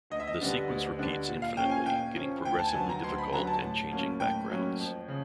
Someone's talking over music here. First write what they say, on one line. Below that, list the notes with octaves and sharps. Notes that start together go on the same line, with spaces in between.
The sequence repeats infinitely, getting progressively difficult and changing backgrounds.
D2 D#5
E5
D#5
D3 G3 B3 D4
D2
D3 G3 B3 D4
A#2
F5
F3 A#3 C#4 G5
G#5
A#2 G5
F3 A#3 C#4
D2 G5
A5
G#5
D3 F#3 B3 A5
A#5
D2 C6
B5
D3 F#3 B3 A#5
A5
A2
F#3 A#3 C#4
A2 G5
F#3 A#3 C#4
F2
C#3